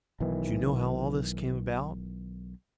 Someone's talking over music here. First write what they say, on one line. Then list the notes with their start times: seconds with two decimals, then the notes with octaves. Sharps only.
Do you know how all this came about?
0.20 B1 D#3 E3